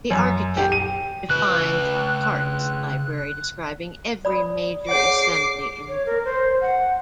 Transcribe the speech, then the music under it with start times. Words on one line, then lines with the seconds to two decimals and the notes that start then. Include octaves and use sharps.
The architect defines a parts library describing every major assembly in the building.
0.10 F#2
0.57 G4
0.72 D#7
1.30 C#3 B4 F#6
4.25 D5 B5 D#6
4.89 G#4 C#5 F#5 D6 C7
5.89 C#5
6.06 A#4
6.25 C5
6.61 F#5